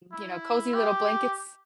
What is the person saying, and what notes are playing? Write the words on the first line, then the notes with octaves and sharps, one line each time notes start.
you know, cozy little blankets
E4
G4